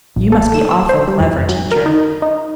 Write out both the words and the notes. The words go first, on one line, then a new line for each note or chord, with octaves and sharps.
You must be awful clever, teacher.'
A#1
A4
E7
E6
C5
G3
F2
F#3
A#4
D#4
D#4